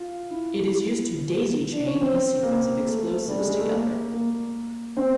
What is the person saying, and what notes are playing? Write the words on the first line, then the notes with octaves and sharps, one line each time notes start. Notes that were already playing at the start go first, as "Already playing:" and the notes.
It is used to "daisychain" a sequence of explosives together.
Already playing: F4
E4
D4
C#4
C4
A#3
A3
G3
G#3
G#3
A3
A#3
A#3
C4